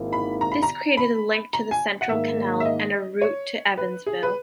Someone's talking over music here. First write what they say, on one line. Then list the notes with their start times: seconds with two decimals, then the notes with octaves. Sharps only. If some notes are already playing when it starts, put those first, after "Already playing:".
This created a link to the Central Canal and a route to Evansville.
Already playing: G#1 G#2 D#3 A#3 E4
0.13 B5
0.41 A#5
0.52 B5
0.63 A#5
0.97 B5
1.53 A#5
1.71 G#5
2.01 F#5
2.09 G#2 D#3 A#3 E5
2.60 E5
2.65 D#5
3.21 C#5
3.77 B4
4.06 G#4
4.23 B4